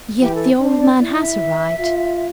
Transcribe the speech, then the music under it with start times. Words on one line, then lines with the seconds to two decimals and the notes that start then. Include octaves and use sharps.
Yet the old man has a right.
0.21 E3 G4
0.34 A4
0.61 D4 C5
0.81 D5
1.00 E4 D5
1.21 E5
1.80 F4